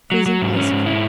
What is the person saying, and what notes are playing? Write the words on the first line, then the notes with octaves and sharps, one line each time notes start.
Freezing Ice Cream.
F#3
F#3
G#2
C#4
G#2
E4